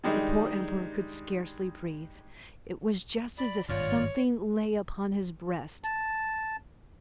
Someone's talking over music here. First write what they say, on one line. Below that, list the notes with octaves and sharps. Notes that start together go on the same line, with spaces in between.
The poor Emperor could scarcely breathe; it was just as if something lay upon his breast.
D#3 G3 G#3 D4 D#4
D5 B5
G#1 G2 A#2 F4 C#5 D5 F6
A5